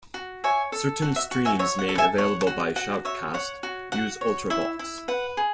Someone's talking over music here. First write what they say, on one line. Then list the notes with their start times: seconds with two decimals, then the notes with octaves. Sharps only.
Certain streams made available by Shoutcast use Ultravox.
0.14 F#4
0.44 C#5 E5 G#5
0.72 A4
1.02 F#4 F#5
1.16 E5
1.31 F#4
1.45 E5 G#5
1.59 C#5 E5
1.79 F#5
1.89 A4
1.98 E5 G#5
2.18 C#5 F#5
2.47 F#4
2.76 F#4 F#5
3.05 C#5 E5
3.34 C#5 F#5
3.63 F#4
3.92 F#4 F#5
4.21 C#5
4.50 E4 E5
4.79 E4
5.08 B4 F#5
5.37 G#4